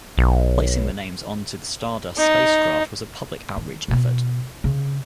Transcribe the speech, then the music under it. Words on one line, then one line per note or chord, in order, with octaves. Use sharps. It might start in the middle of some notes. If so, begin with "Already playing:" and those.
Placing the names onto the Stardust spacecraft was a public outreach effort.
B1
D#4
D#3
B2 B3
C#3